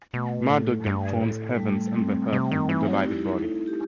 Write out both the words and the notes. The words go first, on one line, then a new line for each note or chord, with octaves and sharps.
Marduk then forms heavens and the earth from her divided body.
B2 A3
A2
G2
A2
G3
A3
C4
C3 C4
D#3
E3 D#4
F#3
G3 E4
D#4
E4
A3 E4
G4